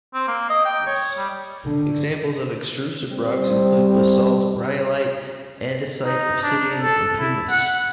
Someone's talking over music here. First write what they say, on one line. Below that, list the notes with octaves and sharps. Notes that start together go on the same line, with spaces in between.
Examples of extrusive rocks include basalt, rhyolite, andesite, obsidian and pumice.
C4
A#3
D#5
G5
C#5
G3
D3
G3 C4
D#4
D4
A4
E4
F#5